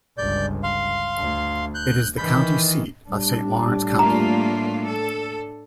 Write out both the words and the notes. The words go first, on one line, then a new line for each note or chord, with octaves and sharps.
It is the county seat of Saint Lawrence County.
G1 C#2 D5 G6
F5 C6
D2
F#6 G6
D#3 E3 B5 G6
A2 G3 D4
A3 A#3 F4 A#5
A4